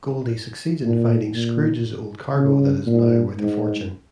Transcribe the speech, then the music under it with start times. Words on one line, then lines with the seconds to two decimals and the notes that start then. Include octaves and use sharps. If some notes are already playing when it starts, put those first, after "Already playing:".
Goldie succeeds in finding Scrooge's old cargo that is now worth a fortune.
0.83 A#2
1.34 A#2
2.36 C#3
2.87 A#2
3.38 G#2